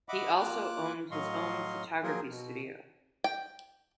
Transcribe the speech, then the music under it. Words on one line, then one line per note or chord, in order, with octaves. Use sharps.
He also owned his own photography studio.
D#5 E5 F#5 B5 D6
A#3 F4 D6 F#6
A2 F#3 D#5 F5 C6 C#6
F3 F#3 A#3 F4 G#4 A#4
B2
G5